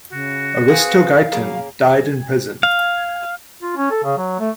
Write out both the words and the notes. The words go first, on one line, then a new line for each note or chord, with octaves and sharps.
Aristogeiton died in prison.
C#3 F#4
C4 G#4 B4 F5
C#3 F#3 A#3
F5
F4
C#4
A4
C#3
F#3
A3